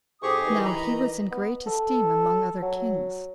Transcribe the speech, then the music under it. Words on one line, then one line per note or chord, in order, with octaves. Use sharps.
Now he was in great esteem among other kings.
F2 G#2 G4 G#4 C#6 D#6
D#3 E3 D#5
A#5 B5
B3
A4
F#3